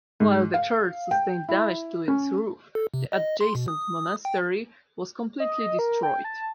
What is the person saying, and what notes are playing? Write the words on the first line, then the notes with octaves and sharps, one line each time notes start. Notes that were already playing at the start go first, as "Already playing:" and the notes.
While the church sustained damage to its roof, the adjacent monastery was completely destroyed.
G#2
F5
G5
E4
C#4
A4
C3
D#5
C6
B2
D#6
G5
D#5
A#4
G5
A5